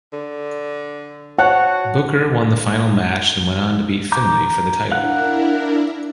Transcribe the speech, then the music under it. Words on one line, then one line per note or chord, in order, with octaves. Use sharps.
Booker won the final match and went on to beat Finlay for the title.
D3
F#4 C#5 F#5 A5 F#6
A#5 D6 G6
D4 E4 A#4 F5 F#5 F#6